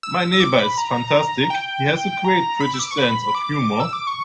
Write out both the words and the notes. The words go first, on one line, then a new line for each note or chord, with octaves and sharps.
My neighbour is fantastic; he has a great British sense of humour.
E6
E6
D6
B5
A#5
G5
A#5
B5
E6
D6
C#6
B5
D6
E6
D6
C#6